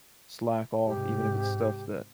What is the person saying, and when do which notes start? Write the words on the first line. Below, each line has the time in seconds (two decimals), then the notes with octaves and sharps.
slack off even if it's stuff that
0.87 G#2 C3 G4